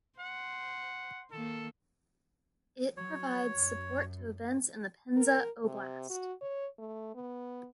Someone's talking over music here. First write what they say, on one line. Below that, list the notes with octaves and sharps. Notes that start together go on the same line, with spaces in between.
It provides support to events in the Penza Oblast.
C5 F#5
D#3 A#3 A4
F#3 C#5
F#2
A#4
C3
F#4
C#5
A3
B3